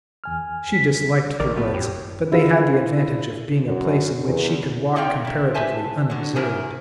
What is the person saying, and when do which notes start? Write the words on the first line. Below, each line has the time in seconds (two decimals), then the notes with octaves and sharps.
She disliked the woods, but they had the advantage of being a place in which she could walk comparatively unobserved.
0.24 E2 G#5 F6
0.73 B6
1.40 A#1 D#3 A#4 D5
1.56 A2 A3 B3
1.74 F#2 G4
2.32 E4 F4 G#4 F5
3.66 F#2
4.25 E2
4.96 A3 C4 D#4 C#5 F5 G5
5.25 A#2 E4
5.54 G4 B4 C5 E5 G#5 A5
6.10 D3 F#3
6.36 E2 D#3 E4 G#4 A#4 G#5